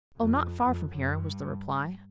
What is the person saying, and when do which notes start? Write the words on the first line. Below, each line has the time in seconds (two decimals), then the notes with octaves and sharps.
'Oh, not far from here,' was the reply.
0.16 F2
0.61 F2
0.89 F#2
1.17 G2